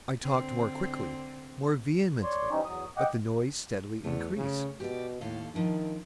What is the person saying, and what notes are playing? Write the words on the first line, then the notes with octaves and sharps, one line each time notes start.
I talked more quickly--more vehemently; but the noise steadily increased.
D3 C4
C#5 D5 C6
E3 G3 C4 C#4 D#4
E2 F#3 D#6
D#5 F#5 G5 D6
E2 A3 C#5
C#3
B2 G4 D5
D#2 A2 A4 F5
D#3 F3 D4 E4